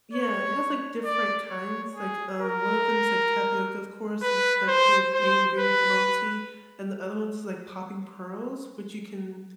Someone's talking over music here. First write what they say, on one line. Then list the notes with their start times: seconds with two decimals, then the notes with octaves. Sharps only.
Yeah, it has, like, different kinds. Like, um, one of them is, like, tapioca, of course. It's, like, the main ingredient for bubble tea, and the other one's, like, popping pearls, which you can
0.13 C#5
1.05 D5
1.50 C#5
1.96 G#4
2.41 A#4
4.23 B4
4.68 C5
5.14 C5
5.59 B4